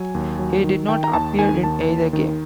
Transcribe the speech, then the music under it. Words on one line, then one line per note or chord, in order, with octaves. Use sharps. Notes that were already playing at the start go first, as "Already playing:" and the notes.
He did not appear in either game.
Already playing: F#3 G#5
D#2
F#3
D#3
D#3 G5
A#5
D#2 A5
D#3 G#5
D#2 A5
D#2
D#3